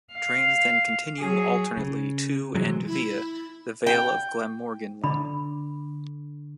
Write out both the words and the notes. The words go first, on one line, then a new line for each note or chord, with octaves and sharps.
Trains then continue alternately to and via the Vale of Glamorgan Line.
F5
F#3 G#4
C#3
C3 E3 F#3 G#3
E4
G5
D3 B5